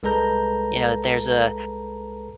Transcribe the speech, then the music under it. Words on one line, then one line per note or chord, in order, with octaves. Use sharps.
you know, there's a
C2 G#3 A4 B4 A#5 G6